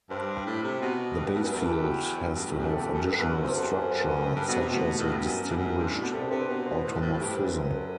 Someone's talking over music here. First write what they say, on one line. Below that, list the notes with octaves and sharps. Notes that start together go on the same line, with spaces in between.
The basefield has to have additional structure, such as a distinguished automorphism.
G2 C5
A2
C3
B2
G2 B4
G2 B4
F#2
E2 B4
A4
G4
F#4
F#2
G2
A2
F#2 G4
A4
E2 G4
F#2 A4
G2
B4
E2
F#2
E2 C5
B4
F#2 A4
G4
A4
C5
B4
A4
C5
B4
G2 A4
B2
B3
C3
B2 A3
B3
A2
G2
F#2
F#2
G2
F#2
G2 C4
A2
D4
B2
C3 A4
C5
C3 B4
B2 B4
C5
A2 B4
G2
A2
A2
G2 G4
C5
F#2 B4
C5
B4
A4